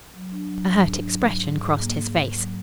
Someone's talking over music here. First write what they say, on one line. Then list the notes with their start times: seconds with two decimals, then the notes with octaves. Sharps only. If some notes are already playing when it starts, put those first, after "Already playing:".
A hurt expression crossed his face.
0.14 F#3
0.32 D4
0.50 F#3
0.69 G#2
0.87 D4
1.06 F#3
1.25 G#2
1.43 G#2
1.61 G#2
1.79 A#3
1.99 G#2
2.16 G#2
2.35 F#3